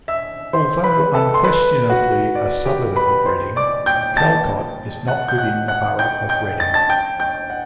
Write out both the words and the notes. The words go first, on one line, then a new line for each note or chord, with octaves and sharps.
Although unquestionably a suburb of Reading, Calcot is not within the Borough of Reading.
E5 E6
C5 C6
B4 B5
A4 A5
C6
B4 B5
F#4 F#5
D5
G4 G5
B4 B5
C5 C6
D5 D6
G5 G6
A5 A6
F#5 F#6
G6
F#5 F#6
F#5 F#6
G5 G6
G5 G6
A6
A5 A6
G5 G6
G5 G6
F#5